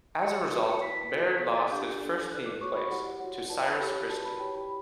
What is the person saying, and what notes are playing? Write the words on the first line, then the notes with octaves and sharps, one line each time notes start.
As a result, Baird lost his first team place to Cyrus Christie.
G4 C#5 C#7
F#4 B4 D5
C#7
E4 B4 D5 B6
B6
F#4 A4 D5 C#7
B6
E4 A4 C#5
A6
D4 G4 D5 G6
D4 A4 D5
E4 B4 D5 F#6
D6
F#4 C#5 C#6
B5
E4 G4 D5 F#5
F#5
F#4 C#5 F#5
F#5
E4 B4 D5 A5
B5
G4 C#5
F#4 B4 D5 A5
B5
E4 G4 C#5 G5
B5